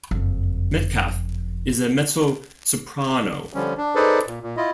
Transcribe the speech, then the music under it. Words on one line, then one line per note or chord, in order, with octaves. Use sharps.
Medcalf is a mezzo-soprano.
F#1 F2
D3 F3 G3 C#4
D4
D#4 G#4 A4 B4 C5 D5
A#2
A#2
E4 F4 D#5